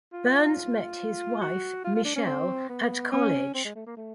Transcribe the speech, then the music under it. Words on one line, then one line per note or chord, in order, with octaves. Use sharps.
Burns met his wife, Michelle, at college.
F4
F#4
F4
F4
D4
C#4
C4
B3
C#4
C4
G#3
A3
A#3
A3